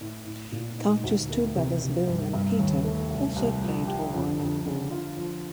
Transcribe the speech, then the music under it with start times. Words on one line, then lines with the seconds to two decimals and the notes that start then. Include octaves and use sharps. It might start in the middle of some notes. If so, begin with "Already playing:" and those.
Couch's two brothers, Bill and Peter, also played for Warrnambool.
0.01 A2
0.27 A2
0.52 A#2
0.78 D#4
1.04 D2
1.30 A#3
1.55 C3
1.82 C3
2.07 G2
2.33 G2
2.59 D#2
2.84 A3
3.10 C2
3.36 C2
3.62 F3
3.87 G4
4.14 F2
4.39 F2
4.65 D3
4.91 F4
5.17 F3